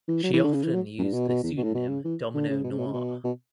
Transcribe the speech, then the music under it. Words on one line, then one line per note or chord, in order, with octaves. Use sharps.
She often used the pseudonym Domino Noir.
E3
F#3
E3
D3
C#3
E3
F#3
F#2
G2
B2
B2
E2
B2
A2
B2
C#3
E3
D3
C#3
B2
C#3
B2
C#3
B2
B2